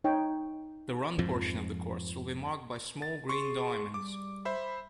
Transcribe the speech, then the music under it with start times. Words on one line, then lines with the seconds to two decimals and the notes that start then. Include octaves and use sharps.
The run portion of the course will be marked by Small Green Diamonds.
0.04 D#4 C#5 G5
1.18 F2 G#2 F3
3.02 A6
3.29 G#4 C6 C#6
3.94 G3 D6
4.45 C5 E5 B5